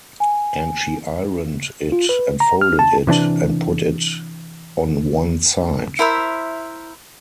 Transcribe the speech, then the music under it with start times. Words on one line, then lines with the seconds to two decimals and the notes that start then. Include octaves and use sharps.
And she ironed it and folded it, and put it on one side.
0.20 G#5
1.92 F4
2.09 B4
2.40 A#5
2.61 F6
2.79 A5
3.07 C3 E3 C#4 D4
5.99 E4 A#4 C5 E5